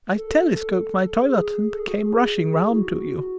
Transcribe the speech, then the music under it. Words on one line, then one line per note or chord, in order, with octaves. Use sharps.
I telescoped my toilet and came rushing round to you.
A4
G#4
A4
G#4
F#4
G#4
E4
F#4